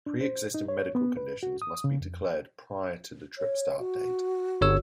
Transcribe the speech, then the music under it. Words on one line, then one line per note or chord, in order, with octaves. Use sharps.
Pre-existing medical conditions must be declared prior to the trip start date.
D4
C5
D#4
C#5
B3
B4
F#4
D#6
C#3
F2
C#5
F#4
G1 C#5 E6